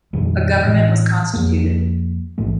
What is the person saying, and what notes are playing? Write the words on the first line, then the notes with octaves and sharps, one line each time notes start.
A government was constituted.
F2 A#2 D#3 G3
A2 E3
F2 F3 A#3
A#1 G#2 E3 A3